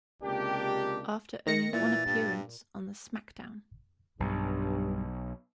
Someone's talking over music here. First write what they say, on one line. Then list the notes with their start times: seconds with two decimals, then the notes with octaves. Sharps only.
After only one appearance on the SmackDown!
0.24 C#2 C3 A#3 D4 G4
1.47 D#3 A#6 C#7
1.73 A#2 E3 A6
2.06 G2
4.20 B1 G2